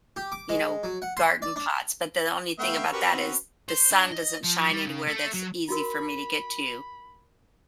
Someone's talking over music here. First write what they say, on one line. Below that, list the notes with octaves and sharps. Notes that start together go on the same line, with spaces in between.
you know, garden pots, but the only thing about that is the sun doesn't shine anywhere that's easy for me to get to.
G4
D6
G#3
F#3
F#5
C6
D5
D4
A3 B3 E5 F5 G5
C#4 F#4 G4 A#4 B4 C#6
B3 C4
C5
D4
D#5
F3
G3
C#3
A3
F#3
D#4 F#4 A#4 B5